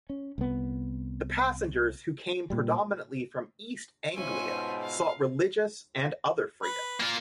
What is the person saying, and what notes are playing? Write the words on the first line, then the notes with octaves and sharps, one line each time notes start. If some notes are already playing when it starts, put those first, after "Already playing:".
The passengers who came predominantly from East Anglia sought religious and other freedoms.
C#4
C2 B3
A#2 G3
G#2 B2 C#4 F4 C5 E5 G#5
F5
B4
A#3 F4